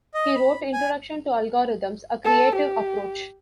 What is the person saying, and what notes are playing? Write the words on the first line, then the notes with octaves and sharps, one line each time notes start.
He wrote "Introduction to Algorithms - A Creative Approach".
D#5
B5
G#5
A4
G4